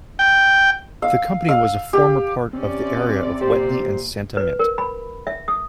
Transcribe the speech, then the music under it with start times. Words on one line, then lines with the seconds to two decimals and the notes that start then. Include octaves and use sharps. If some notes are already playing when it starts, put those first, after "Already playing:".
The company was a former part of the area of Wetly and Santa Mint.
0.19 G5
1.02 F5
1.49 F5
1.93 G4
2.53 C3 C4 C#4 D5
3.41 A#2 G4 C5
4.37 B4
4.59 A#4
4.78 B5
5.27 E5
5.48 D#6